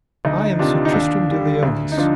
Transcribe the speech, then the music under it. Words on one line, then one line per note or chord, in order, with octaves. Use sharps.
I am Sir Tristram de Liones.
D2 D#4
C3 D#3 D4 F4
D#4
D#2 D4
D3 G3
D2
D#4
D3 F3 D4 F4